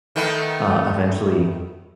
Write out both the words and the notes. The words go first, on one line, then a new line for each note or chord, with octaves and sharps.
uh, eventually,
D#3 A3 B3